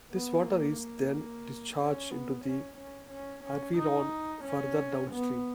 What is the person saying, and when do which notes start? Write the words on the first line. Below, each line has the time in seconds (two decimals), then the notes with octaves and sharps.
This water is then discharged into the Arveyron further downstream.
0.11 B3
0.44 A#3
0.77 A#3
1.78 C#4
2.11 B3
2.45 C#4
2.77 C#4
3.10 C#4
3.44 C#4
3.78 D#4
4.44 C#4
5.11 B3